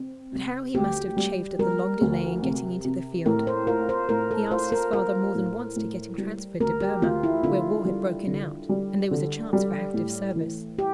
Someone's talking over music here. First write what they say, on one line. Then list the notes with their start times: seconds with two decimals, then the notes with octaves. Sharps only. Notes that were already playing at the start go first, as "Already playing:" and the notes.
But how he must have chafed at the long delay in getting into the field. He asked his father more than once to get him transferred to Burma, where war had broken out and there was a chance for active service.
Already playing: C4
0.33 C3
0.75 D2 G4
1.17 G3
1.59 G3 A#4
2.01 D2
2.43 C3
2.85 C3
3.26 A2 A#4
3.47 C5
3.67 F4 A#4
3.89 C5
4.09 A2 A#4
4.31 A4
4.51 F4 C5
4.72 A#4
4.93 F4 A#4
5.35 A2
5.76 A2
6.18 G3
6.60 D2 A#4
6.81 G4
7.02 D2 F4
7.23 E4
7.44 D3 F4
7.85 G3
8.27 D3
8.69 G3
9.11 D3
9.53 G3
9.94 A2
10.36 E3
10.79 G4